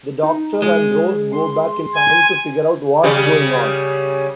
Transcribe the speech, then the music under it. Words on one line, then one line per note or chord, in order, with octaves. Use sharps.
The Doctor and Rose go back in time to figure out what's going on.
D#4
G#3
G#4
C6
G#5
C#3 G3